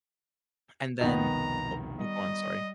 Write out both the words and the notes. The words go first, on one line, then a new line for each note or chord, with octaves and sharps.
And then, o oh, go on, sorry.
C2 F2 B2 D#3 B3 A#5
G3 D#5